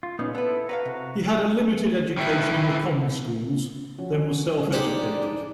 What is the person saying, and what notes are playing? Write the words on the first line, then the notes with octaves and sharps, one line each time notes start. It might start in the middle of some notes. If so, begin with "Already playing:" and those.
He had a limited education in the common schools, then was self-educated.
F4
A#2 C#3 B3 C#4 D#4
B3 E4 A4 B4
F#4 B4 C#5 F5 F#5 A#5
C3
D#3 E3
F3 C#4 F#4
D4 D#4 G4 G#4 C5 D5 F#5